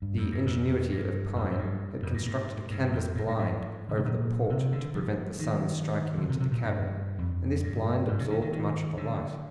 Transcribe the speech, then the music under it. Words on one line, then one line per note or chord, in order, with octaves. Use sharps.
The ingenuity of Pine had constructed a canvas blind over the port, to prevent the sun striking into the cabin, and this blind absorbed much of the light.
G2
F2
G2
F2
G2
F2
F2
G2
F2
G2
G#2
G2
F2
G#2
G2
G#2
D3
C3
A#2
C3
D3
F3
D#3
D3
C3
C3
A#2
G2
F2
G2
G#2
C3
D3
D#3
D#3
D3